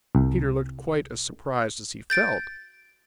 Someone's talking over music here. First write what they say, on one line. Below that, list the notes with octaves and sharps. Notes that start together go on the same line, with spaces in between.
Peter looked quite as surprised as he felt.
C2
G6 A6 D7